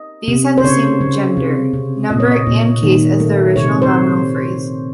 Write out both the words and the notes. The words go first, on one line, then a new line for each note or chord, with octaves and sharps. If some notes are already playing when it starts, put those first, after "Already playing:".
These have the same gender, number and case as the original nominal phrase.
Already playing: D#5
C3
C5
C#3 C#5
C#3
C3
C3
A#2 D#5
C#5
D#5
A#2
D#3
A3
C3 C#5
C5